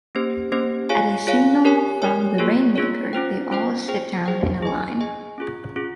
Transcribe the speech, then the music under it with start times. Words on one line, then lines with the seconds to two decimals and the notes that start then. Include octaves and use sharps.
At a signal from the rainmaker, they all sit down in a line.
0.15 A#3 C#4 G4 C5
0.52 A#3 C#4 G4 C5
0.89 F4 G#4 C#5 F5 G#5
1.27 F4 G#4 C#5 F5 G#5
1.65 G4 A#4 C#5 G#5
2.02 G4 A#4 C#5 G#5
2.38 A#3 F4 G#4 C#5
2.76 A#3 F4 G#4 C#5
3.13 C#4 F4 C5 G5
3.51 C#4 F4 C5 G5
3.88 G#4 C5 G5
4.26 G#4 C5 G5
4.63 G#4 D#5 G#5
5.00 G#4 D#5 G#5
5.38 C#4 F4 G#4
5.76 C#4 F4 G#4